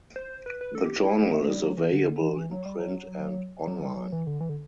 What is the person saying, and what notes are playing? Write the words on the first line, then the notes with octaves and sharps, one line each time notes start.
The journal is available in print and online.
C5
B4
B4
A4
G4
E4
A3
G3
F#3
E3
D3
E3
E3
F#3
G3
F#3
F#3
G3
F#3
E3
D3
E3
D3